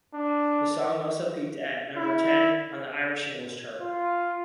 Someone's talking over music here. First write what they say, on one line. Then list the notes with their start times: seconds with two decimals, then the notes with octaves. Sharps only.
The song also peaked at number ten on the Irish Singles Chart.
0.14 D4
1.97 E4
3.81 F4